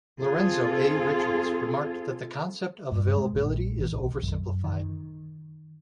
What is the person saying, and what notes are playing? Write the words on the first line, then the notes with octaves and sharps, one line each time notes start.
Lorenzo A. Richards remarked that the concept of availability is oversimplified.
C4 F4 G#4 A4
G2
G#3
A#1
A1
B1
F#2
D#3